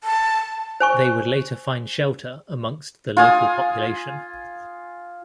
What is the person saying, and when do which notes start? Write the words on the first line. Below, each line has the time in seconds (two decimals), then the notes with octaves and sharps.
They would later find shelter amongst the local population.
0.04 A5
0.80 C5 G#5 C#6
3.17 F4 G#5 D#6